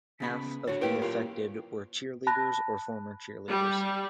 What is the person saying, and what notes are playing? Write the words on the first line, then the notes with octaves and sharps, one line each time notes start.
Half of the affected were cheerleaders or former cheerleaders.
C#3 B3 B5
D3 F#4 C#5
A#3 E4 G4 A#4 B4 G5
A#2 F4 G4 A#4
A5 B5 F#6 A#6
G3